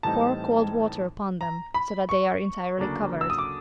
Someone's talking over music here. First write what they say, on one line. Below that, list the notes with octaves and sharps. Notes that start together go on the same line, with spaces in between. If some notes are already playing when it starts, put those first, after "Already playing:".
Pour cold water upon them, so that they are entirely covered.
A2 E3 G3 C4 D#4 A5
A#5
B5
C#6
D2 C#3 F#3 A#3 D4
E6
D#6
D6